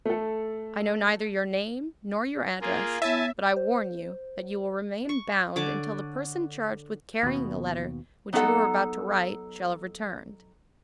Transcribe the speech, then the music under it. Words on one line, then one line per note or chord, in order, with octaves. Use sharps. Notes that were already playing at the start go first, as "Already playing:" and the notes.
I know neither your name, nor your address, but I warn you, that you will remain bound until the person charged with carrying the letter which you are about to write shall have returned.
A3 A4
A#3 F4 G#4
B3 E4 C#5 E5 G#5 A5
C5
C#6
D3 C#5 D5 D6
D#2 B2
F#3 B3 D#4 G#4 A4 F#5